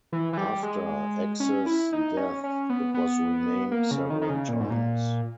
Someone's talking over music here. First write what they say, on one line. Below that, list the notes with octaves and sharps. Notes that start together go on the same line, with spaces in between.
After X's death it was renamed several times.
E3
E3
G3
G#3
C#4
E4
D#4
C#4
C#4
B3
B3
A#3
C#3
D#3
D#3
C#3
A#2
G#2
A#2